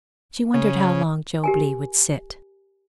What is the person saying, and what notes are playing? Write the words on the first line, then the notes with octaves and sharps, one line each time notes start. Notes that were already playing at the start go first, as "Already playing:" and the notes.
She wondered how long Job Legh would sit.
C#3
G4 A#4 G#5